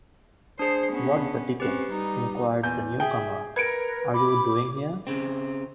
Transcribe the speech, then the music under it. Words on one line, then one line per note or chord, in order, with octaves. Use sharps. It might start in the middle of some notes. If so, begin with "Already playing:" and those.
"What the dickens," inquired the newcomer, "are you doing here?"
D4 G#4 C5
B3 C#4
C4 C#4 G4 B4
G3 D#4
E2 G6
G#4 E5 G5
A#4 B4 G#6 C#7 D7
B5 D6
C#3 C4